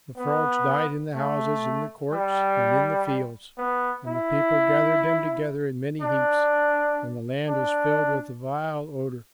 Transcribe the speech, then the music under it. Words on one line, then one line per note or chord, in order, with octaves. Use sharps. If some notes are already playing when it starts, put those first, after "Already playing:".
The frogs died in the houses, in the courts, and in the fields, and the people gathered them together in many heaps; and the land was filled with a vile odor.
B3
A3
G3
B3
E4
D4
D4